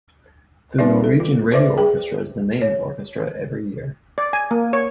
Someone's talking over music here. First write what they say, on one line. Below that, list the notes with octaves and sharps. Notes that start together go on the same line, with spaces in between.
The Norwegian Radio Orchestra is the main orchestra every year.
G3 C4 D#4 B4 D5 E5
A4
F4
B4 C5 D5 E5 D6
G#4 G5
C#5
D5
G#5
A#3
C#5